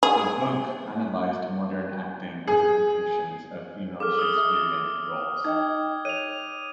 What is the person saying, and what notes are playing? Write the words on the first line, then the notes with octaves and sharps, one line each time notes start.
The book analysed modern acting interpretations of female Shakespearean roles.
G#4
G#4
G#4 A4 D6 F6
D#6 G7
E5
D#4 D#5 G5 G#6
C#5 D#7 F7